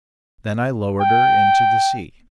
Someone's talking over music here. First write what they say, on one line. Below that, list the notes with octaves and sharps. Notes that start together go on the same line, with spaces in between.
Then I lowered her into the sea.
G5